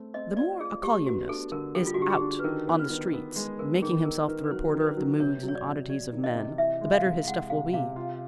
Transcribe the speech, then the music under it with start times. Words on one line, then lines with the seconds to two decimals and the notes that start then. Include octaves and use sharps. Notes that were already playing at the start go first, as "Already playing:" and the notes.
The more a colyumist is out on the streets, making himself the reporter of the moods and oddities of men, the better his stuff will be.
Already playing: A3 C4
0.14 C4 D#5
0.37 F4 D5
0.60 F4 G#4
0.83 A3 G4
1.06 B3 F#4
1.29 D4 A4
1.52 D3 A#4
1.75 G3 A4
1.87 F4
1.94 F#4
1.98 D3 G4
2.10 G#4
2.21 D4
2.39 B4
2.44 D#3 A#4
2.67 B3 C5
2.79 B4
2.90 D#3
3.13 B3 A#4
3.36 G#3
3.59 B3 A#4
3.82 D#3 G#4
4.05 D#3 A#4
4.28 D#3 B4
4.44 B4
4.51 F#3 C5
4.74 D#3
4.80 B4
4.86 C5
4.97 F#3
5.20 C3 C#5
5.43 F#3
5.48 C#5
5.55 D5
5.66 C3
5.89 F#3 D5
6.12 D#3
6.24 D#5
6.35 C3
6.58 E3 E5
6.81 G#3
6.93 F5
7.05 C3
7.27 G#3 F#5
7.50 C3 F5
7.73 C3 F5
7.96 F4